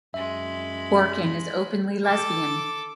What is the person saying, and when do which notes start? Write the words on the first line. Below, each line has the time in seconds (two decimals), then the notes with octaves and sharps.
Orkin is openly lesbian.
0.14 F#2 G#3 E5 B5
2.05 A4 D6